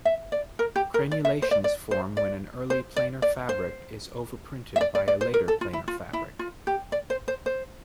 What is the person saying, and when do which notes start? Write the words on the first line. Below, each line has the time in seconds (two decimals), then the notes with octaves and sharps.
Crenulations form when an early planar fabric is overprinted by a later planar fabric.
0.05 E5
0.32 D5
0.59 A#4
0.76 G4
0.94 A#4
1.12 D5
1.25 E5
1.42 C5
1.51 D5
1.64 D5
1.91 C5
2.17 D5
2.70 C5
2.96 D5
3.22 D5
3.49 C5
4.76 E5
4.81 D5
4.95 D5
5.08 D5
5.21 C5
5.34 A#4
5.48 A4
5.61 F4
5.73 E4
5.88 F4
6.13 E4
6.39 F4
6.67 G4
6.92 D5
7.10 C5
7.28 C5
7.46 C5